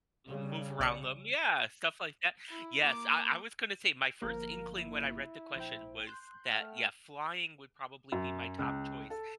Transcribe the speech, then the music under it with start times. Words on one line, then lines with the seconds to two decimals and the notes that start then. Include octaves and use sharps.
Move around them, yeah, stuff like that. Yes, I I was gonna say my first inkling when I read the question was that, yeah, "Flying would probably be my top choice
0.27 C#3 G3
0.79 B1 D5 C#7
2.50 E4
2.82 A#3 D6
4.22 G1 F3 A#3 A#4
4.75 E4
5.56 A#1 C5 G5
6.07 C6 F#6 G6
6.51 A3 F#5 G5 F6
8.12 F#2
8.59 C#2
9.10 A4